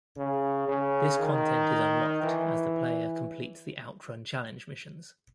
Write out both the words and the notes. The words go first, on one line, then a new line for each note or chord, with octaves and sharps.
This content is unlocked as the player completes the OutRun Challenge missions.
C#3
C#3
D#3
E3